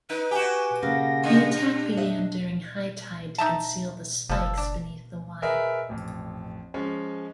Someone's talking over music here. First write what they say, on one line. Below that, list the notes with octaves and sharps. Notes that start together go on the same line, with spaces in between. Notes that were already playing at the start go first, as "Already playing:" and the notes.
The attack began during high tide to conceal the spikes beneath the water.
D#4 B4
F#4 G4 G#5
C#3 A#3 A#6
G3 D4
D#5
D#5 E5
D#4 E5 A5
F#1 F3 A4
D4
G#4 A#4 B4 D#5 E5
A1 F2
F3 G#3 C#4